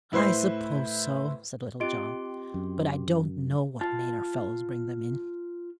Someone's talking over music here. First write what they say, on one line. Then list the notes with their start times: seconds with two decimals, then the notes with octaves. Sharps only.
"I suppose so," said Little John, "but I don't know what made our fellows bring them in."
0.12 A2 E4 B4 C5 C7
1.80 C4 F4 G4 D#5 C6 D7
2.54 F#2
3.81 F4 A5